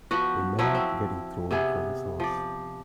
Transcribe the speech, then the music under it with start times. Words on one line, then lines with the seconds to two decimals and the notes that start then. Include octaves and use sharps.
A man getting thrown from his horse.
0.11 F3 B3 F#4
0.59 F3 F#3 E4 F#4
0.75 C4
1.51 C3 B3 G#4
2.20 F3 D5